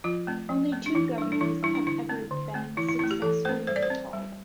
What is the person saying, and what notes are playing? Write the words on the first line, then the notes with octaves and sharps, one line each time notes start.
Only two governors have ever been successfully recalled.
F3 F4
A3 C4
F3
A3 C4
D4
E3 E4
D4
G3
D4
E3 E4
G3 D4 E4
D4
D3 E4
A3 C4
D3
A3 C4
E3 E4
E4
A3 C4 E4
G4
E3 A4
A3 C4 C5
G3 C5
D5
C5
C4
G3